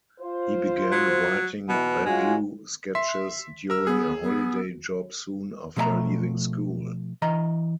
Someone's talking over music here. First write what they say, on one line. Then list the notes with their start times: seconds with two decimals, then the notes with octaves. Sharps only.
He began writing revue sketches during a holiday job soon after leaving school.
0.21 F4 C5
0.92 F#3
1.69 B2 E3
2.05 G#3 C#4 F4 F#4
2.95 E5 C6 B6
3.70 A#4 E6
3.87 B3 G#4
4.23 B3
5.76 B2 F3 A3 C#5 E5 A#5
7.22 E3 D#5 A#5